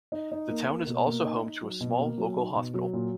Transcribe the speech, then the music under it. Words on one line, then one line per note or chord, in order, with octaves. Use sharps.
The town is also home to a small, local hospital.
D#4
D#4
A#3
A#3
B2
A#3
D#4
D#4
F#3
B2
A#3
F#3
D#4
B2
F#3
A#2